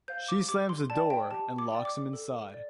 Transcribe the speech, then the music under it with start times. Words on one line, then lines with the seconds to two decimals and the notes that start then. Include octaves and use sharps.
She slams the door and locks him inside.
0.08 C5 F5 G6
0.28 D6
0.48 G4 D6
0.69 C6
0.90 D5 G5 A5
1.10 G5
1.31 G4 A5
1.58 D6
1.72 D5 G5
1.85 D6
2.13 A4
2.54 D5